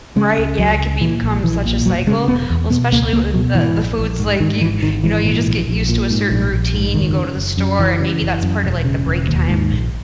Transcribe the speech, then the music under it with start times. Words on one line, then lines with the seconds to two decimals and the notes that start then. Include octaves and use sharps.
Right, yeah, it can become such a cycle. Well, especially with the the foods, like, you you know, you just get used to a certain routine. You go to the store, and maybe that's part of, like, the break time,
0.16 C#3 G#3
0.38 C#2
0.58 C#2 F#3
0.80 C#3
1.01 A#2 E3
1.22 A#1
1.43 A#1 E3
1.65 A#2
1.85 E1 F#3
2.07 C#3 G#3
2.28 E1 B3
2.50 E2
2.70 B2 B3
2.92 C#2 A#3
3.13 C#2 A#3
3.34 B2 F#3
3.55 G#2 E3
3.76 A#1
3.98 A#1
4.19 G#2
4.40 G#2 D#3
4.61 G#1 E3
4.82 G#1 D#3
5.03 G#2 E3
5.24 A#2
5.47 A#1
5.68 A#1
5.89 A#2
6.10 G#2
6.30 A#1
6.52 A#1
6.74 G#2
6.94 F#1 D#3
7.15 C#3
7.37 F#1
7.57 F#2
7.79 F#1 E3
8.00 C#3
8.22 F#1
8.42 F#2
8.63 E1
8.85 C#3
9.07 E1
9.28 D#2
9.49 G#2
9.71 A#1